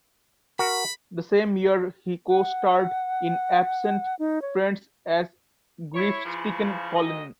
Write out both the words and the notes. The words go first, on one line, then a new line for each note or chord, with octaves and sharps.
The same year he co-starred in Absent Friends as grief-stricken Colin.
F#4 A#4 B5
F#5
D#4
C#5
E4 C#5
C#3 E3 F3
D2 D#5